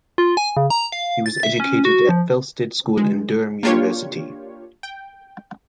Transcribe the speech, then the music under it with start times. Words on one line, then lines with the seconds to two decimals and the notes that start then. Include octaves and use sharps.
He was educated at Felsted School and Durham University.
0.18 F4
0.37 G#5
0.57 C#3
0.70 A#5
0.92 F5
1.26 A6
1.43 E5
1.60 C#4
1.85 F#4
2.09 F3
2.97 G#3
3.63 A#3 D4 F4 G4 C#5
4.83 G5